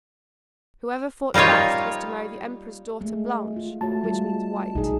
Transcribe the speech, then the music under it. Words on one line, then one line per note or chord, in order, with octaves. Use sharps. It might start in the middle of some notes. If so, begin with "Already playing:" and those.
Whoever fought best was to marry the Emperor's daughter Blanche, which means white.
G3 A#3 D#4 F4 C#5
G#3 A3
G#3 F4
A3 F#4 C#5 A5
G3 G#3 F4
B1 D#4 G#4